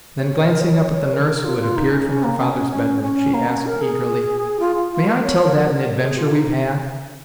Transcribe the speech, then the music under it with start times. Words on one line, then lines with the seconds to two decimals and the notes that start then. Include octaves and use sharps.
Then, glancing up at the nurse who had appeared from her father's bedroom, she asked eagerly, "May I tell Dad an adventure we've had?"
0.18 C#5
0.39 A#4
0.60 C#5
0.82 C#5
1.14 A#4
1.44 F4
1.60 F4
1.77 D#4
1.92 C#4
2.08 C#4
2.24 A#3
2.39 C#4
2.54 C#4
2.71 C#4
3.02 C#4
3.34 A#3
3.50 C#4
3.66 A#4
3.82 G#4
4.60 F4
4.76 F4
4.92 F4
5.08 A#4
5.23 C#5
5.45 A#4
5.66 C#5
5.70 A#4
5.87 C#5
6.02 G#4
6.17 F4
6.33 D#4